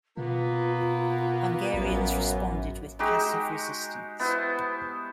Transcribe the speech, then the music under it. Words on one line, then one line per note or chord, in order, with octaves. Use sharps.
Hungarians responded with passive resistance.
B2 A#3 B3 F4
A1 F#2
G#3 D#4 F#4 G4
B3 E4 C5